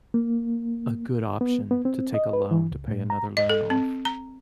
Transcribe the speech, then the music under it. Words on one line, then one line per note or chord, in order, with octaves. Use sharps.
a good option to take a loan, to pay another loan off.
A#3
B3
B3
C4
D#5
B4
E3
C#2
A2
A#5
D#5
A4
C4
A#5